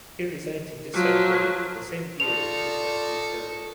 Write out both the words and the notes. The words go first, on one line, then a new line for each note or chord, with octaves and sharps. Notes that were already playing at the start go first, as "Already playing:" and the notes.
He resigned in December the same year due to unpaid salary.
F3 F#3
D#4 F4 A4 D5 C#6 F7